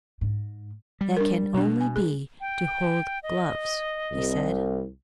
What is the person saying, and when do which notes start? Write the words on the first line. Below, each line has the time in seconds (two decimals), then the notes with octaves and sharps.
"That can only be to hold gloves," he said.
0.21 G#2
1.01 G3
1.17 D4 A#4
1.54 B2 G3 D4
1.81 G#5
1.96 G#4
2.40 G5
3.23 D#5
4.12 C2